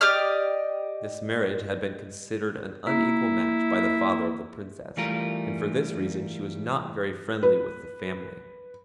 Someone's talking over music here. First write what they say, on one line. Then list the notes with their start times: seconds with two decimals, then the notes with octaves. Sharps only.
This marriage had been considered an unequal match by the father of the Princess, and for this reason she was not very friendly with the family.
0.01 G4 D5 D#5 F6
2.87 A#3 E4
4.97 E3 G3 A3 F4 A#4
7.43 B4